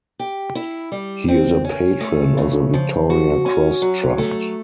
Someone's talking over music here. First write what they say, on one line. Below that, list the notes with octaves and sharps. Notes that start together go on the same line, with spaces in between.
He is a patron of the Victoria Cross Trust.
G4
E4
G3
C4
C#4
A3
C#3
F3
F#4
C#4
F#3
A3